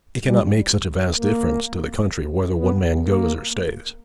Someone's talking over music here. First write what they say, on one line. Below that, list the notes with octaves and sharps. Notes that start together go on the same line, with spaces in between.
'It cannot make such a vast difference to the country whether one man goes or stays!
G3
A#3
B3
A#3